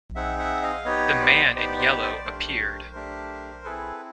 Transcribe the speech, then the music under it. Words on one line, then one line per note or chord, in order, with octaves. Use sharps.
The man in yellow appeared.
C4 D#4 G#4 E5 F#5
E5 F#5
D#5 F5
B3 D#4 G4 C#5 D#5
C5 D5
B3 D#4 G4 C5 D5
C5 D5
C5 D5
A3 D4 G4 A#4 C5
A3 D4 G4
C4 E4 G#4 A4 B4